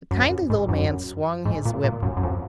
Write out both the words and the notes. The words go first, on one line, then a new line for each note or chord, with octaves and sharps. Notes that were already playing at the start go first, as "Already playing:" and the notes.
The kindly little man swung his whip.
F#2
G#2
F#2
G#2
A#2
A#2
F#2
F#2
F2